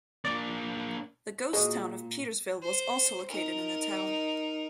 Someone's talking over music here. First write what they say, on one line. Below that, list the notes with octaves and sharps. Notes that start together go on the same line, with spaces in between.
The ghost town of Petersville was also located in the town.
A#3 D4 D5
A#2 F#4 G#4 D#5
C5
D#4 A#4